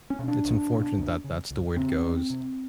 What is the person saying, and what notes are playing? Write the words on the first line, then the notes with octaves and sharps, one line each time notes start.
It's unfortunate that that's the way it goes.
C#4
B2
D4
C2
B2
C#2
C#3
C#2
C#3 C4
F2
C3